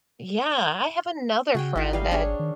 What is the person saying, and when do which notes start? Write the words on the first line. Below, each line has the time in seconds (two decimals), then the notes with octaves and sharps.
Yeah, I have another friend that
1.55 C#3 F#4 G#4 G5
1.76 G#1 D#4 E4
1.93 G3 D#5 F5
2.11 D4 G#4 C#5
2.40 D#3